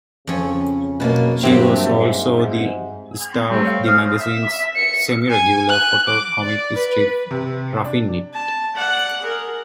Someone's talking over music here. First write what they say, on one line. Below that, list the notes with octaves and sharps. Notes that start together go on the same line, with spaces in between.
She was also the star of the magazine's semi-regular photo comic strip "Ruffing It".
F2 C#3 C#4
B2 F#3 A#3 B4 A5
G2 F#3 A#3 C4 G4 C5 E5
G#2
G3 A3 C4
C#5 F5
C5 F5 D#6
E5
C#7
G#5
F#6
D6
D5
B4
C3
D4
A5
D5 F#5
G#4 A#4